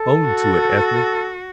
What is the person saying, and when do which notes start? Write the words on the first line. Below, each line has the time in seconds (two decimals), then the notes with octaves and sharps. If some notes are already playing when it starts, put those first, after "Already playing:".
Own to it, Ethne!
Already playing: A4
0.26 F#4